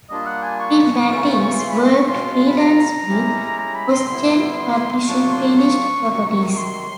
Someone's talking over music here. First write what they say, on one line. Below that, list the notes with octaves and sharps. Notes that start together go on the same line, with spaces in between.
DeMatteis worked freelance, with CrossGen publishing finished properties.
G3 A#3 D4 F4 D#5
F#5
G#5
C#6
C#3 E3 A3 C#4 F4
C6
B5
C6
C#6
B2 G#3 C#4 F4 C6
B5
A#5
G#3 C#4 E4 G4
A#5
B5
C6
D3 G3 B3 E4 C6
A2 F#3 A#3 D4 F4 C#6
C6
C#6
C3 D#3 F#3
C6